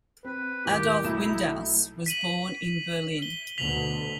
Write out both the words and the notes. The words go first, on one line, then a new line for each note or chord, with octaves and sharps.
Adolf Windaus was born in Berlin.
C4 B4
D#2 A2 G4
B1 A3 D#4 E4 E7
B6 D#7 F#7
G7
D2 B2 D3 B6 F7 F#7